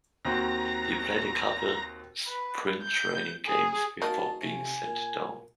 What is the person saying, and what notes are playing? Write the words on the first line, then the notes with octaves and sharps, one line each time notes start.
He played a couple spring training games before being sent down.
D#2 C4 F#4 A#5
B4
G6
G#4
A#3 D#4 F#4 G#4 A5
C3 A3 F5 G#5
A#2